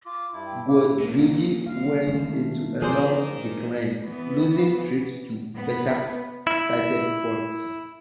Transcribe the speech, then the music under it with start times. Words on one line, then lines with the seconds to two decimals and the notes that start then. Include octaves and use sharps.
Goederede went into a long decline, losing trade to better-sited ports.
0.06 F4 D6
0.33 G2 E4
0.46 G5
0.68 F#2 E3 E4 D6
1.00 D#2 A#2 A#3
1.66 F5
2.07 D#3 G#3 A3 C#4
2.82 E3 F3 D#4 G#4 A#4 C5 D5
4.02 E3 B3
5.55 B3
6.47 E4